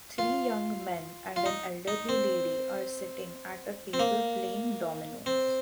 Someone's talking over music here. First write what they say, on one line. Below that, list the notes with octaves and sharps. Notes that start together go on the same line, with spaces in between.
Three young men and an elderly lady are sitting at a table playing dominoes.
F4
F4
D#4
D#4
C4
C4
A#3
C4